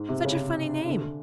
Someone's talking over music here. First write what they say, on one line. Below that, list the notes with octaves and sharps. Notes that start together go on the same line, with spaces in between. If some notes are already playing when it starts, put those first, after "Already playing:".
"Such a funny name."
Already playing: G#2
C3
C#3
D3